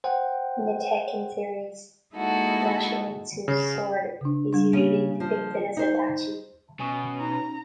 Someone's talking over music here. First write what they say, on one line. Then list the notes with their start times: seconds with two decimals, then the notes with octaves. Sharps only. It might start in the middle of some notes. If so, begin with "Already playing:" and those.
In the "Tekken" series, Yoshimitsu's sword is usually depicted as a tachi.
0.04 C5 F#5 G5
2.14 G#3 A#3 D#4 E4 F#4 A4
3.48 C#3
4.21 C#3 D4
4.53 G3 D4
4.73 C#3 A#3 G4
5.20 F3
5.77 D#4 C5
6.80 B2 C#4 G#5 C#6 D#6
7.20 D#4 A#5